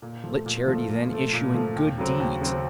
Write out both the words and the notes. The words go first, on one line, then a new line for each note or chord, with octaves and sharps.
Let charity then issue in good deeds.
A#2
F3
A3
A#2
F3 A3
A#2
F3 A3
A#2
F3 A3
D#2
C#3 F#3 C4
D#2
C#3 F#3 C4